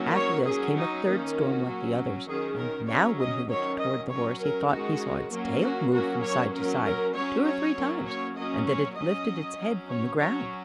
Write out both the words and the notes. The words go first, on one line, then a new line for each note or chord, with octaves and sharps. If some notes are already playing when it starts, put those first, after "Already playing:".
After this came a third storm like the others; and now when he looked toward the horse he thought he saw its tail move from side to side two or three times, and that it lifted its head from the ground.
Already playing: D#3 F#3 A#3 C#4
C#5
F#3 C#4 G#4
D#4
D#3 A#3 C#4
F#4
F#3 C#4
D#3 F#3 C#4 G#4
A#4
F#3 C#4 C#5
D#5
D#3 F#3 C#4 C#5
D#5
F#3 C#4 C#5
A#4
D#3 G#3 C#4 F#4
F#3 A#3 C#4
F#4
F#3 A#3 C#4 F#4
C#5
F#3 C#4 A#4
A#4
F#3 C#4 C#5
C#5
F#3 A#3 C#4
C#5
F#3 A#3 C#4 D#5
C#5
F#3 C#4 D#5
F#3 C#4
C#5
F#3 C#4 C#5